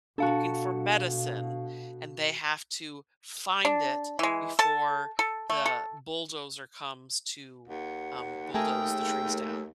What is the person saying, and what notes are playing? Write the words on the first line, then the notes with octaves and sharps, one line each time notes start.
looking for medicine, and they have to find it before the bulldozer comes to, um, bulldoze the trees down.
B2 D4 F#4 A4 F5
D4
E3 G#3
A4 A5
A4
A3
A4
D#2 F#5
A3 G#4 A#4 G5 E6